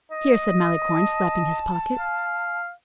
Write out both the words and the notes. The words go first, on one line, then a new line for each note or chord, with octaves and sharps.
"Here," said Malicorne, slapping his pocket.
D#5
A5
F5